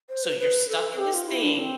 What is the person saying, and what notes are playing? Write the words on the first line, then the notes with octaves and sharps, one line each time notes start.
So you're stuck in this thing
C5
B4
B4
A4
G4
F4
E4
D4
C4